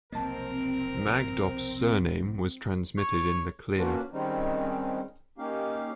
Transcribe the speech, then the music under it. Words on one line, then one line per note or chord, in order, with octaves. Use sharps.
Magdoff's surname was transmitted in the clear.
F1 B1 A#3 C4 A#4 D#5 A5
C#5
A#3 C#4 D4 F4 F#4 B4
D#3 G3 G#3 C4 C#4 D#4
A#3 C#4 D#4 G4 F5